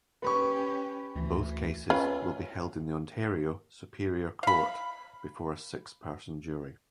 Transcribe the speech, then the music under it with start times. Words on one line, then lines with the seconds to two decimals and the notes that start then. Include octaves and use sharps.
Both cases will be held in the Ontario Superior Court before a six-person jury.
0.22 C#4 G4 B4 B5 C#6
1.15 D2 E3
1.90 C#4 F4 B4
4.43 F5 B5